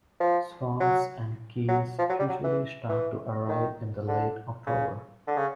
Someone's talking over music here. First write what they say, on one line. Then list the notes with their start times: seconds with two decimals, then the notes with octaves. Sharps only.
Swans and geese usually start to arrive in late October.
0.20 F3
0.80 F#3
1.68 F#3
1.99 F3
2.09 F#3
2.19 G3
2.29 F#3
2.44 E3
2.89 E3
3.49 D#3
4.07 D3
4.67 C#3
5.27 D3
5.37 C#3